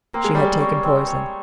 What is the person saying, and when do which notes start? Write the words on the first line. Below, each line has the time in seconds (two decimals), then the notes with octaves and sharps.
She had taken poison.
0.14 A#3 C4
0.24 G#3
0.35 G3 C#5
0.45 G#3
0.61 C#5
0.84 C4
1.07 C#5